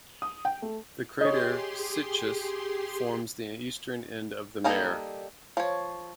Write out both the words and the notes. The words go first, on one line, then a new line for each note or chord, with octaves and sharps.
The crater Cichus forms the eastern end of the mare.
D#6
G5
A3
G4 G#4 C#5 D#5 C6
G3 A#3 D#4 A4
F3 C#5